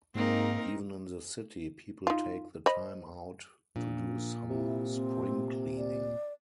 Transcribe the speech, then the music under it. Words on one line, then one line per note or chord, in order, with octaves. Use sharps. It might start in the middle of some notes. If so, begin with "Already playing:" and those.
Even in the city, people take the time out to do some spring cleaning.
G#2 A#3 C4 D#4 A#4
D#4 F4
C5 D#5 B5
A#1 A#2
C3 E4
C4
D5